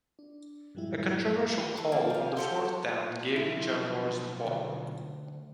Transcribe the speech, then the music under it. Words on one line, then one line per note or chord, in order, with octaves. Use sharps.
A controversial call on fourth down gave the Jaguars the ball.
D4
G2 A#2 F3 G3 G#3 E4
D#4 G4
A4
F3 G3 A#3
C3 F5
F3 G4 A4 B4 F#5 C6
F4
B1 F3 E4
D2